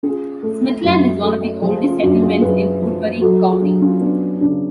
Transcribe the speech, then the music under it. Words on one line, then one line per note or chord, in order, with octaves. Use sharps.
Smithland is one of the oldest settlements in Woodbury County.
C#4 F4 G#4
A3
F#2
A3
F3 F4 G#4
C#4 F4
F#2 D4 F#4
F4 G#4
F#2 G#4 B4
F3
F#3 F#4 A4
F4 G#4
F#3 D4 F#4
C#4 F4
B3 D4
C#3 D4